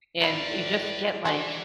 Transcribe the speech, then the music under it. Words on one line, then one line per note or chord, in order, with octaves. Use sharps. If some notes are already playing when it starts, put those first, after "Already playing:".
and you just get like,
B3 E4 B4 D5 A#5
A2
E3 D4 F#4 G#4 C5